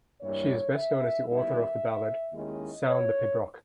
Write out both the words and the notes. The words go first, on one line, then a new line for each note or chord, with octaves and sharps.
She is best known as the author of the ballad "Sound the Pibroch".
G2 E3 G3 A#3 E4 C#5
E5
D#2 D#3 G3 B3 E4 E5
D#2 D#3 G#3 C#4 E4 D#5
C#5